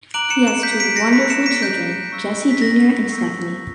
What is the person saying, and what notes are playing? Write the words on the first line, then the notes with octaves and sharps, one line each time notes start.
He has two wonderful children, Jesse Junior and Stephanie.
A#5 D6 F#6 D7 F#7
C#7 E7
C#7 E7
G6 B6
B6 D7
A#6 C#7
B5 F#6 B6 D7
C#7 E7
B6 D7
G6
C#6 E6 G6
B6
A#6
C#6 E6 G6